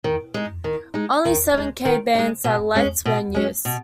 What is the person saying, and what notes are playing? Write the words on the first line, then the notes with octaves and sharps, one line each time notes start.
Only seven K band satellites were in use.
D#3
G#3 D#4
D#3
G#3 D#4
D#3
G#3 D#4
D#3
G#3 D#4
B2
G#3 C#4
B2
G#3 C#4
B2